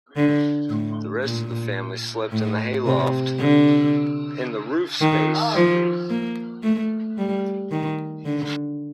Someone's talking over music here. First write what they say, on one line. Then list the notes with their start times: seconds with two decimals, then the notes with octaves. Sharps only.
The rest of the family slept in the hay loft, in the roof space.
0.16 D3
0.70 A2
1.24 A#2
2.32 A2
2.86 C3
3.39 D3
5.01 D#3
5.55 F3
6.10 A#3
6.63 A3
7.18 G3
7.71 D#3
8.25 D3